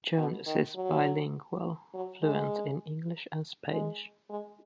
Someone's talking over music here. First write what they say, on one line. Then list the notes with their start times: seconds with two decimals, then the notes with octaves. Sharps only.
Jones is bilingual, fluent in English and Spanish.
0.17 B2
0.47 D#3
0.76 F#3
1.94 F#3
2.22 G#3
3.71 G#3
4.29 G#3